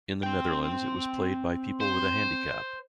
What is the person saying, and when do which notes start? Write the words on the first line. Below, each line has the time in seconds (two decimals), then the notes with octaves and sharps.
In the Netherlands it was played by people with a handicap.
0.23 C4 G5
1.80 C5